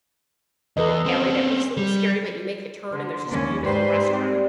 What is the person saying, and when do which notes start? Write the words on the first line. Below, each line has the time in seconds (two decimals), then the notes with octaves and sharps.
The alley that looks a little scary, but you make a turn and there's this beautiful restaurant?
0.77 E2 A4 B4 D#5
1.06 C4 C#4
1.77 G3
2.92 D3 C5
3.29 D#2 C#4 B5 D6
3.65 G#2 G3 D#4 B4 C5
4.11 G3 C4 D5